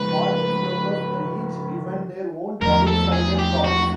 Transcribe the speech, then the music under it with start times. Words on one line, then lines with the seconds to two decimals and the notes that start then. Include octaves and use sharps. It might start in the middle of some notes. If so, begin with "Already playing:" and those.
Audience members were each given their own double-sided cards.
Already playing: C#3 F3 G#3 B4
2.62 E2 C3 F3 A3 A#4
2.87 A4
3.12 G#4
3.39 G4
3.64 F#4